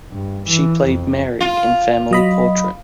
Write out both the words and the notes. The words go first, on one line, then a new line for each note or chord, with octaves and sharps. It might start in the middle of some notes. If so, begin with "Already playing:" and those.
She played Mary in "Family Portrait".
G2
E3
F2
F4
F#3 D#5 B5